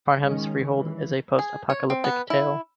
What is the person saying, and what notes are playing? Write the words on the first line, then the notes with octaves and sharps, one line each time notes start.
"Farnham's Freehold" is a post-apocalyptic tale.
D#3 G#3 C#4
E3
G#4
C#5
C4
B3
E4